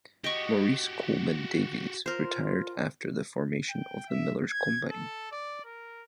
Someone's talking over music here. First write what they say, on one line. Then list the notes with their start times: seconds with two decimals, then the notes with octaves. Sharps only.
Maurice Coleman Davies retired after the formation of the Millers Combine.
0.24 F#4 G4 D#5 C#6
2.06 F4 A#4 C5
3.69 G5
4.09 E5
4.48 G#6
4.89 A4
5.32 D5
5.64 A#4